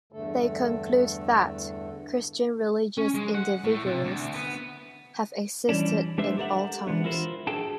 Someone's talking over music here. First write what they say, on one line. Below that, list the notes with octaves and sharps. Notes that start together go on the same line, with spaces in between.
They conclude that Christian religious individualists have existed in all times.
E2 G2 D3 A3 A4
C#4
G#3
F#5
A2
C3
D2
B3
E3 G3 C#4 D4
G#3 D4 G4 B4 C5 E5
G4 A4 A#4 E5 F#5
E3 G#3 B3 D4
E4 F4 A#4 C5
D4 F#4 G#4 A4 G5 A5